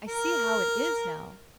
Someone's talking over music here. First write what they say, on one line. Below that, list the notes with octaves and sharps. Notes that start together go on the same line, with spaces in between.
I see how it is now.
A#4